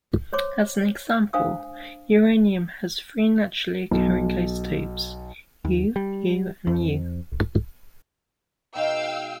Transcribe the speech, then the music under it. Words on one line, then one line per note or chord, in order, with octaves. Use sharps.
As an example, uranium has three naturally occurring isotopes: U, U and U.
C5 C#5 C6 D6
D4 C5 F5 G#5 D#6 E6
B1
D#2
G3
F2
B2 G#3 D#4 F5 G5 E6